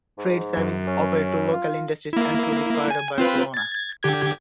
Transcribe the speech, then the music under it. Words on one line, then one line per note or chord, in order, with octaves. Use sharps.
Freight services operate to local industries and to the Port of Barcelona.
G#2
F#2
C#4
F4
A#3 E4
G#5
C4 F4 B4
G#6 A6
D3 G4 G#6